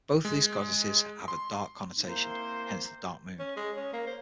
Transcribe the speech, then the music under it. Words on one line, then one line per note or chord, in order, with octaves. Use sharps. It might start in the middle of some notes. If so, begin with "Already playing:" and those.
Both of these goddesses have a Dark connotation, hence the Dark Moon.
G#3
C6
A#3 C4 E4 C5
C#4
G#3
C#4
A#3
C5